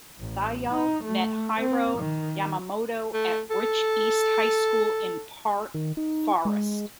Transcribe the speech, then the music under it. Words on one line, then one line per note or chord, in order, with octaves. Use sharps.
Thayil met Hiro Yamamoto at Rich East High School in Park Forest.
A1
D#4
A3
C4
D#3
A3
A4
D#3
D#4
G#3